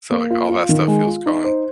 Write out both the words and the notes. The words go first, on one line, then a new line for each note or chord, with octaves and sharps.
So, like, all that stuff feels gone.
A#3
F4
F4
D#3
G#3
F4
D#4
C5